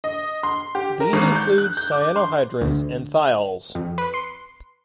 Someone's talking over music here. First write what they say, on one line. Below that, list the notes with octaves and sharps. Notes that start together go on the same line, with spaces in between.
These include cyanohydrins and thiols.
D#5
C6
G4
A#4
G#1
G6
F#6
G6
D6
C6
D2
F2
B4
C6